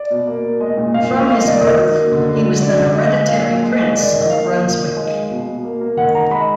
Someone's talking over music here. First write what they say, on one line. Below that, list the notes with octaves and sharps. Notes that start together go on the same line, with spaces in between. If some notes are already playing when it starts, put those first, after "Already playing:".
From his birth, he was the "Hereditary Prince of Brunswick".
Already playing: D5
B2
A#3
A#3
G#3 D#5
A#2
A#2 F5
F3
A#3 F5
D#5
D#3 D5
D#3 D#5
F#3
A#3
D3
D3
F#3
D3 D5
D3
G#3 D#5
G#3
A#2 F5
A#2
G#3
G#3
D#3 D5
D#3 D#5
A#3 F5
A#3 F5
D#3
D#3
G#3
G#3
B2
B2
A#3
A#3
D#3 F#5
D#3 A#5
G#3 B5